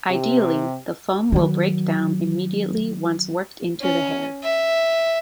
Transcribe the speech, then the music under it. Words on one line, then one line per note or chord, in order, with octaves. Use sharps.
Ideally, the foam will break down immediately once worked into the hair.
C3 G4
D#3 F#3
C#4
E5